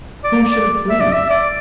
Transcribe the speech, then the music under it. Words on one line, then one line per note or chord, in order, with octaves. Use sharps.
Whom should it please?
D5
D5
E5
D5
E5
D5